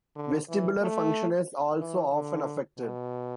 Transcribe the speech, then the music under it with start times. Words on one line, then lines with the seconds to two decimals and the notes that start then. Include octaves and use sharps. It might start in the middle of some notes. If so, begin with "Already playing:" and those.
Vestibular function is also often affected.
0.16 D3
0.49 E3
0.81 A3
1.80 E3
2.13 D3
2.78 B2